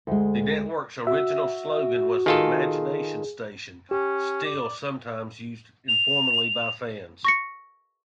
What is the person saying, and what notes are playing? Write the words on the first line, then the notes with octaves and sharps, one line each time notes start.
The network's original slogan was "The Imagination Station", still sometimes used informally by fans.
D2 G#3
F#4 E5
D#3 F4 G#4 A4
C#4 G4
D5
F7
C#6 A#6 C#7